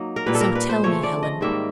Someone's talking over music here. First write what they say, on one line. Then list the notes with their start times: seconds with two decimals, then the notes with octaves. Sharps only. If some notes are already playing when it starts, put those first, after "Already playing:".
So tell me, Helen.'
Already playing: F#3 A#3 D#4
0.16 A#4
0.26 A#2 G3 A#3 B4
0.35 A4
0.41 A#4
0.55 B4
0.69 C5
0.84 C#3 F3 A3 C#5
1.03 D5
1.23 D#5
1.41 G#2 D#3 G3 A#3 E5